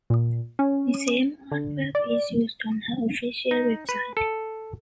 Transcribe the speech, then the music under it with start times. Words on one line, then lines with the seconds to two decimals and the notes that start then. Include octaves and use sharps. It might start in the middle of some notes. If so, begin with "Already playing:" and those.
The same artwork is used on her official website.
0.10 A#2
0.59 C#4
1.52 D3
1.95 D5
3.51 D#4
3.89 B4
4.17 A4